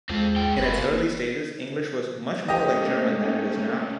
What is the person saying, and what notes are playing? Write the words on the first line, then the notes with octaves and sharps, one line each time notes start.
In its early stages English was much more like German than it is now.
D#2 G#3 C4 F4
G#2 G5
F#1 A#3 F4 B4
A3 A#3 C#4 G4 D#5